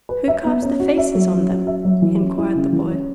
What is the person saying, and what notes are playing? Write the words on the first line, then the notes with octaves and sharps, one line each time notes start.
"Who carves the faces on them?" inquired the boy.
B4
E5
B3
C#4
F#4
E5
F#3
C#4
F#4
E5
F#3
E3
C#4
E4
C#3
E3
C#4